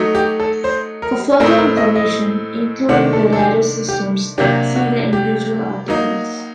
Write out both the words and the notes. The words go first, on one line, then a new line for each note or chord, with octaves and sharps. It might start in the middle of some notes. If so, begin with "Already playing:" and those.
For further information, including the rarer systems, see the individual articles.
Already playing: F#3 A3 D#4
G4
A4
C5
A#4
A2 A3 C4 D#4 A#4
A#4
D#5
D#5
C3 D#3 A3 D4 F#5
A4
A4
G4
G4
C3 F#3 A#3 D4 G4
F#4
G4
F#3 A#3 D#4